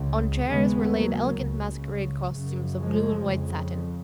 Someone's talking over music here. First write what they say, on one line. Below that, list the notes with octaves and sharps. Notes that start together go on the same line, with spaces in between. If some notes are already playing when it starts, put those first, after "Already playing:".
On chairs were laid elegant masquerade costumes of blue and white satin.
Already playing: C#2 C#3
D#2 C#3 G#3 B3
F#3 A#3
C#2 C#3
F#2 C#3
F3 G#3
F2 C#3